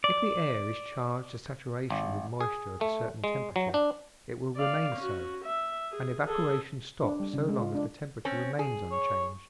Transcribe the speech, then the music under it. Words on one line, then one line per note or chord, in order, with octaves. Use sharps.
If the air is charged to saturation with moisture at a certain temperature, it will remain so, and evaporation stops so long as the temperature remains unchanged.
D5
G#1
G#4
A3
G#3
F#3
D4
D5 F5
C#4 F#4
E5
G#4
G#4 A4
D4
G3
C#3
G#3
F4
D4
C4 C#4
G#4
C#5